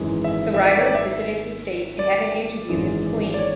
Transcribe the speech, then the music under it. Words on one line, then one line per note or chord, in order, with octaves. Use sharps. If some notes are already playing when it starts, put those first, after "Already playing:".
The writer visited the state and had an interview with the queen.
Already playing: G#1 F#2 E3 G#3
E5
E5
D5
C#5
D5
E5
D5
G#1 F#2 E3 G#3
D5
C#5